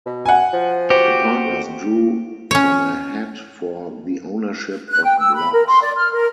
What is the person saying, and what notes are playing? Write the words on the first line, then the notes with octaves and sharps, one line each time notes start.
The partners drew from a hat for the ownership of blocks.
B2
F#5 G#5
F3
F#4 G4 C5
F2
C#4 C#5
F#6
G5
E6
B5
A#4
C6
D5
F6
A#4